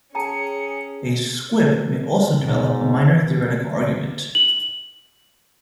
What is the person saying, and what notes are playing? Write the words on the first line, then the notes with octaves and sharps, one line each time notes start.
A squib may also develop a minor theoretical argument.
C#4 G#4 G5 A5 A#5 C#7
G#2 B2
F#7